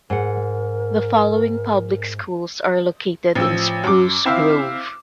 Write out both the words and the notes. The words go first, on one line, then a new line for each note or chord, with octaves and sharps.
The following public schools are located in Spruce Grove.
G#2 A#4 F#5
A1 F3 E6
F#2 D6
C4 E4 C5 E5 F5